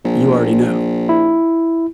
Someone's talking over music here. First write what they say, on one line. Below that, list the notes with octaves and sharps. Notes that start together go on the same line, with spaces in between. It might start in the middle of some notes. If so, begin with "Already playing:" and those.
You already know,
A#1
E4